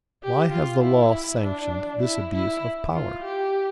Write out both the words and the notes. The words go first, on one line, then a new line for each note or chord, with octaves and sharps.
Why has the law sanctioned this abuse of power?
G4
F4
E4
D4
E4
E4
F4
G4